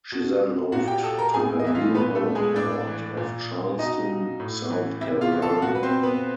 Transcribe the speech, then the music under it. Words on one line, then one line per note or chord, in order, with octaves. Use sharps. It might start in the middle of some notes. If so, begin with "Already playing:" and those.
She then moved to her new home port of Charleston, South Carolina.
B2
A#2 F#4 F#5
G4 G5
A4 A5
A#4 A#5
A2 G#4 G#5
D#5
E3 E5
F4 F5
A#2 B3 B4
A3 A4
G#3 G#4
A2 D4 D5
E3
A#2
B2 D#4 D#5
A2
E3
C3 E4 E5
F4 F5
E3
A4 A5
A#2 F#4 F#5
B4
C4 C5
B3 B4